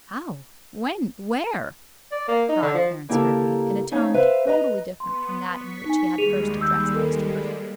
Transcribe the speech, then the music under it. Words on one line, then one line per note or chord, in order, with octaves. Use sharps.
"How?--When?--Where?" cried Clarence Hervey, in a tone totally different from that in which he had first addressed Mr. Percival.
D5
A#3
D#4
D3
F3
C#3 A#3 E4 G4 A4 A#4
F2 C#4 D#4 C#5 F5
B4 C5 E5 F5
B4 D#5 E5 A#5
B3 C6
C#6 B6
D#4 G#5
D#2 G3 G#3 G#4 D#7 F7
E6 G6
A4 A#4